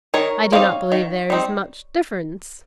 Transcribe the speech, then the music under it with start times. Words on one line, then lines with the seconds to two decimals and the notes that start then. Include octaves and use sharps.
"I do not believe there is much difference."
0.14 D#3 A#4 C#5
0.52 G3 C4 D#4 C#5 F5
0.92 D#3
1.30 G3 C4 D#4